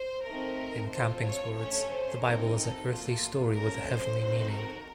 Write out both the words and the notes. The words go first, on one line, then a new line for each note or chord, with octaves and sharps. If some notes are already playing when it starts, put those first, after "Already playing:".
In Camping's words, the Bible is an earthly story with a Heavenly meaning.
Already playing: C5
A3 C4 D#4 A#4
C4 F4 A4 C5
C#5
A3 C#4 A4 C#5
C5
C4 D#4 A4 A#4
A4
A#3 F4 A4
A#3 C#4 A4 A#4
C5
C4 D#4 F#4 A4
A#4